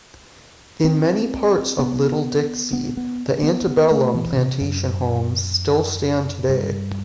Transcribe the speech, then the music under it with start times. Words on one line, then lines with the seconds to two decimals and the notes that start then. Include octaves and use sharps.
In many parts of Little Dixie, the antebellum plantation homes still stand today.
0.84 C4
1.79 B3
2.73 B3
2.97 B3
3.43 B3
3.67 B3
3.91 A3
4.15 E3
4.32 B2
4.37 C3
4.61 F#2
6.49 G2